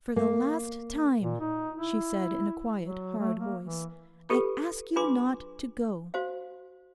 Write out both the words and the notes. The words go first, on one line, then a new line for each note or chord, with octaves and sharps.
'For the last time,' she said in a quiet, hard voice, 'I ask you not to go.'
A#3
A#2
D#4
E4
F#3
A3
A#3
E3
F4 G4 A4 B4
D4 F4 G#4 B4 C6 D6
F#4 C5 F5